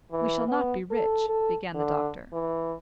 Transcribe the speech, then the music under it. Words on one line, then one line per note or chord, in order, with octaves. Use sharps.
"We shall not be rich--" began the doctor.
E3
B3
A4
A4
D3
E3